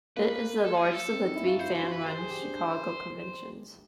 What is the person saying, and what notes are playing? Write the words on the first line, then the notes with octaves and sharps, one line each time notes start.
It is the largest of the three fan-run Chicago conventions.
A#3 B4
A4
G#4
A4
C4
D#4
E4
F#4
F4
E4 C5
C5
F#4
B4
G4 C5
G#4
G4
D4